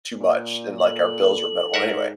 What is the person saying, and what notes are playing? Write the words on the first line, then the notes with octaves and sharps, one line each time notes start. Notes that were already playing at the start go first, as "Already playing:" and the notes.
too much and, like, our bills were minimal anyway,
A#2
A4 F#7
G#2 A#4 E5 F#5